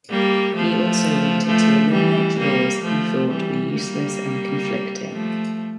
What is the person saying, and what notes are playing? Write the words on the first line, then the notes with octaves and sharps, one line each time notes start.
He also wanted to eliminate laws he thought were useless and conflicting.
G3 A#3
F3 A3
F3 A3
E3 G3
G3 A#3
F3 A3
E3 G3
G3 A#3
F3 A3